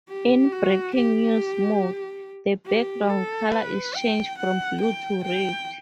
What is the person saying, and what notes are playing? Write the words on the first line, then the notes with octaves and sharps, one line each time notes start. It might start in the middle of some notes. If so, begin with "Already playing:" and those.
In breaking news mode, the background color is changed from blue to red.
G4
F#4
G4
G4
A4
B4
G5
F#5
G5
G5